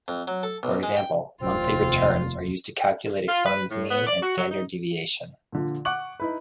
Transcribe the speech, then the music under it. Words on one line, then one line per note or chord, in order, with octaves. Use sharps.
For example, monthly returns are used to calculate a fund's mean and standard deviation.
F2
F#3
A4
B1
G#3
G5
F1 D#2 C3 C4 F4
F4
B4
A2
B3
D5
F#4
F#3
D#4
A#2 D3 F3
F#5 C#6 D6 F#6 F#7
D#4 E4 B4